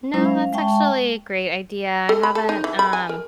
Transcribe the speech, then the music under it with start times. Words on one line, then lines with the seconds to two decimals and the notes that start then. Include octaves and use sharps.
No, that's actually a great idea, I haven't, um,
0.14 F#3 G#3 C#4 E4 C5
0.25 F5
0.53 G#3 E5 G5 A5 C#6
2.09 A4
2.23 B5
2.35 A4
2.49 D#4
2.64 E3
2.79 B5
2.93 G#5
3.09 A#4